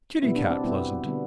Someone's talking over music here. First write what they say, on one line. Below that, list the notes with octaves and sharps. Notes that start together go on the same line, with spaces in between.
Kitty-cat pleasant!
B2 G3 B3 E4
D4
C4
B2 G3 B3 E4
D3 G3 B3